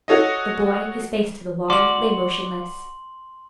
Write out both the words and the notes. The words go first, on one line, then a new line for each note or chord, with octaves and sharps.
The boy, his face to the wall, lay motionless.
F#4 A4 C#5 D#5
F#4 D5 C6 F#7